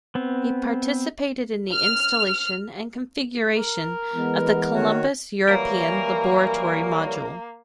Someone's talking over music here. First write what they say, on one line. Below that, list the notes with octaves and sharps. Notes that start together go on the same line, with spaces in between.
He participated in the installation and configuration of the Columbus European laboratory module.
B3 C4
F6
A#4
E3 G#3 B3
D#3 F#4 C#5
E3 F#3 G3 A#3 A#4